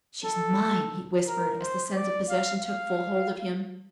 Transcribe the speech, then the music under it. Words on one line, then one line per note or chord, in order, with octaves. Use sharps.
"She's mine," he whispered, as the sense of possession took full hold of him.
A4
A#4
C5
D5
F5
F5